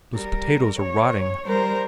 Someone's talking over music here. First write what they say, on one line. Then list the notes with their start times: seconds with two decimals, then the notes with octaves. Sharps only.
Those potatoes are rotting.
0.13 G3 A#4
0.79 C#5
1.47 G3 A#4 C5